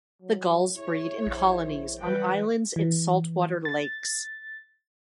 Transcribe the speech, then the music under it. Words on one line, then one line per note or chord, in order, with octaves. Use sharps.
The gulls breed in colonies on islands in saltwater lakes.
F#3
E4 G#4 C#5
A#1
E3 G3 B4 F#5 G5
E3
A6